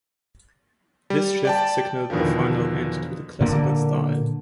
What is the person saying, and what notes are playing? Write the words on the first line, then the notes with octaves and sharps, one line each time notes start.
This shift signaled the final end to the Classical style.
G3
D5 G5 A5
E2 B2 D3 D#3 F3
A#2 D3 A#3